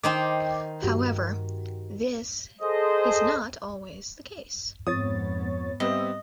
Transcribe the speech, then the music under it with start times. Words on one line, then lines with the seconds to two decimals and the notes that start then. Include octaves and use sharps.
However, this is not always the case.
0.03 D#3 D#4 C5 G5 D6
0.82 G2 F#4 G4
2.62 G#4 A4 C5 D#5
4.87 F2 G#2 B3 C#5 D#6 A6
5.80 G3 B3 C4 B4 D#5 E5